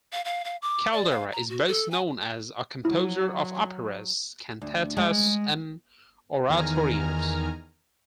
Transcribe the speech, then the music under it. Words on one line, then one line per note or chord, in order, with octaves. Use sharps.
Caldara is best known as a composer of operas, cantatas and oratorios.
F5
F5
F5
D6
D5
F5
A#5
F#4
A4
G#5
F#3 E4
D2
G#3
E2 D#3 G#5 A#5 F6